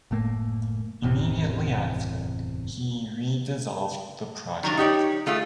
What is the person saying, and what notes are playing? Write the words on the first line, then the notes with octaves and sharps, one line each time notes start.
Immediately after, he re-dissolved the project.
F#1 A2 A3 A#3
F#1 E2 A2 C3
D#3 F#3 G3 D4
D#4 G4 C#5 D5
G3 A3 F4 G#4